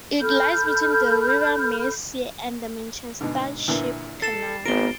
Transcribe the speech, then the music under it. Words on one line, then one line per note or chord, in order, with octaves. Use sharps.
It lies between the River Mersey and the Manchester Ship Canal.
A4 B5 F6 G6
G#2 B2 D3
A#2 D3 E3
A4 A6 C7 E7
G#1 B3 A#4 D7 G7